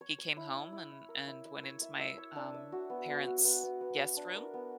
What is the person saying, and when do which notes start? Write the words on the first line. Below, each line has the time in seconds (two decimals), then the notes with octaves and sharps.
he came home and and went into my, um, parents' guest room,
0.01 C#5
0.18 C#5
0.37 E4
0.55 E4
0.72 E4
0.91 E4
1.09 A#4
1.27 E4
1.45 E5
1.63 C#5
1.82 E5
1.99 E5
2.18 C#5
2.36 D4
2.54 E5
2.72 F#4
2.90 B3
3.08 B3
3.27 F#4
3.44 B3
3.63 B3
3.81 B3
3.99 B3
4.17 D4
4.35 A#4
4.54 B3